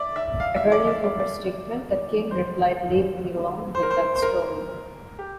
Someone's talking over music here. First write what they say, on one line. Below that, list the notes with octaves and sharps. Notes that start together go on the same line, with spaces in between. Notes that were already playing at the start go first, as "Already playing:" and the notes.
According to her statement, the King replied Leave me alone with that story.
Already playing: D5 E5
E5
F5
E5
D5
E5
D5
D5
C5
C5
A#4
C5
C5
A#4
G4